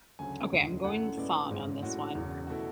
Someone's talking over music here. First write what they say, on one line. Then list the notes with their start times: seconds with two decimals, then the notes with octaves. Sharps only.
Okay, I'm going song on this one,
0.19 D2 C#3 F#3 A3 G#5
0.52 E1 D2 C#3 G#3
0.84 F#2 D3 A3 E4 F#5
1.17 A1 A2 G#3 B3 E4 D5
1.49 G#1 G#2 G#3
1.82 A2 G#3 C#4 E4 F#4
2.15 E1 E2 C#3
2.47 B2 A3 E4 F#4